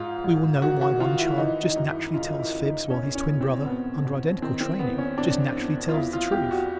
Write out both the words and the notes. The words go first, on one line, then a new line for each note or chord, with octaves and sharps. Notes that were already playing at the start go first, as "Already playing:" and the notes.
We will know why one child just naturally tells fibs while his twin brother, under identical training, just naturally tells the truth.
Already playing: G#2 F4
G#2
D#3 F#4
F#4
D#3 F4
E4
E3 D#4
D#4
F#2
E4
C#3 F4
E4
F#2
D#4
E2 C#4
C#4
E2
C4
B2 B3
B2
D#3 C4
C4
E2 B3
C#4
C3 D4
E2
F4
E2 E4
F4
E2 G4
F#4